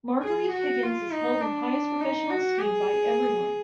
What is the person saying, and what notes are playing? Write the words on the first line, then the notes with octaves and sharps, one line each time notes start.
Marguerite Higgins is held in highest professional esteem by everyone.
G#4
F#4
F4
D#4
D4
D#4
F#4
G#4